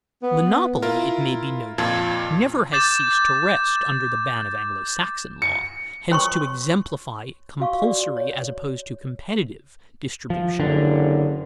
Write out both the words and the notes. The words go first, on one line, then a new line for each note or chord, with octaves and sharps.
Monopoly, it may be noted, never has ceased to rest under the ban of Anglo-Saxon law, hence to exemplify compulsory, as opposed to competitive, distribution.
B3
E4 F4 A#4
F2 A#2 F4 A5 G#6
D6 G6 A6 E7
C#7
C#5 C6 C#6
F#4 F5 C#6
F#4 D5
C#5
F3
F#1 D3